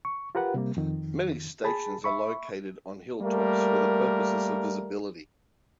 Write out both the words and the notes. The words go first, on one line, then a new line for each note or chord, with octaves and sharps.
Many stations are located on hilltops for the purposes of visibility.
C#6
F4 G4 A#4 B4 F#5
C3 G3 A#3
F2 D#3
G#4 A5 B5
E5 B5 C#6
G3 A3 A#3 A#4